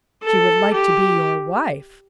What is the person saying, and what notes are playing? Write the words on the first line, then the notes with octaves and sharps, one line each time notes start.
"She would like to be your wife!"
A4
G4